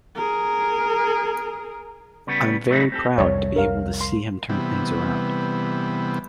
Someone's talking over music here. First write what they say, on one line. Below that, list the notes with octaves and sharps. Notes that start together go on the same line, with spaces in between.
I'm very proud to be able to see him turn things around.
G#4 A#4
C#3 G3 B3
A2 F#3 G3 A3 D#4 E4
C4 G4 A4
C2 F2 C#5
A#4 F5
C6
C3 E3 G3 B3